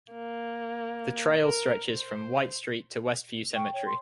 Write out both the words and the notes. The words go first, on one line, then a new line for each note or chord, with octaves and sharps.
The trail stretches from from White Street to Westview Cemetery.
A#3
A#4
C5
G5 C#6
C#5
C6